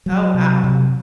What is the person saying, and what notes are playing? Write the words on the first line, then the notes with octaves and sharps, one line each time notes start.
Oh, wow.
F#3
C3
C3